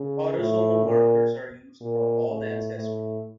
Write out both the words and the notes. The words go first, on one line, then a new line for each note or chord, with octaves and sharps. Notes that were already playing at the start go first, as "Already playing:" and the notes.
Autosomal markers are used for all ancestry.
Already playing: C#3
A2
A#2
A#2
A2
A2